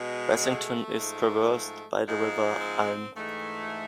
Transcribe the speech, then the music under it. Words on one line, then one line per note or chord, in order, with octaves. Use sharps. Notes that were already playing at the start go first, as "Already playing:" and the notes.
Bassington is traversed by the River Aln.
Already playing: B2 G#3
A3
G#2 F3 G#3
G#2 F3 G#3
C4
G#2 E3 G#3 A3